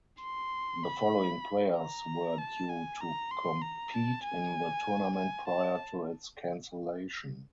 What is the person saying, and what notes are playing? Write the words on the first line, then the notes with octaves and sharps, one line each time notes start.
The following players were due to compete in the tournament prior to its cancellation.
C6
B5
A#5
A5
G#5
A#5
C6
A#5
A5
G#5
G#5
A5